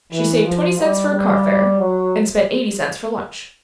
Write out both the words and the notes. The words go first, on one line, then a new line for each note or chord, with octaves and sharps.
She saved twenty cents for car fare and spent eighty cents for lunch.
E3
F3
G3
G3
F#3